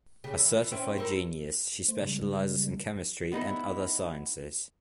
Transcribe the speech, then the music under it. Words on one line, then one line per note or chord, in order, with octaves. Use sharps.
A certified genius, she specializes in chemistry and other sciences.
C#3 G4
E3
E3
C4 C#4 E4
A4 A#4 C5
A3 C5
C#3 G3 G#3
B3 D#4 E4